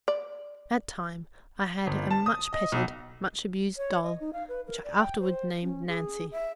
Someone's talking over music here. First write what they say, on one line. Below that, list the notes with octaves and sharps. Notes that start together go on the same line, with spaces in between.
At that time I had a much-petted, much-abused doll, which I afterward named Nancy.
D5
G1
A5
D#6
D#5
B1
C#5
D#5
D#4
F5
B4
A#4
D5
G5
C5
C#4
G#4
E5